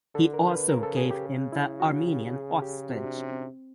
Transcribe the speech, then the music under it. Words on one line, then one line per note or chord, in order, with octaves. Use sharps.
He also gave him the Armenian hostage.
D3 A4
A#4
B4
C#3 A#4
A4
G#4
G4
E4
F#4
G4
G#4
G4
C3 F#4
D4
C#4
C4